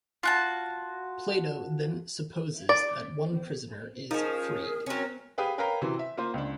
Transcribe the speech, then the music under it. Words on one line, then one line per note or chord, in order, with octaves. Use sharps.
Plato then supposes that one prisoner is freed.
F4 F#4 A5
D5
F3 C#4 D#4 G#4 A#4
F#3 C4 C#4 A#4
G4 G#4 B4 F5 G5 D#6
A#4 B4 C#5 F5 G5 A#5
C3 E3 F#3 C4
E5
A#3 F4 C5
C#2 D4